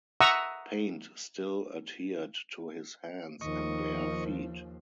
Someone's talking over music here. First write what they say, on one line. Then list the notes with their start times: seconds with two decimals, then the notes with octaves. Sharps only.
Paint still adhered to his hands and bare feet.
0.20 E5 F#5 A#5 C#6 D#6 E6
3.41 D#2 D#3 F3 D#5 C#6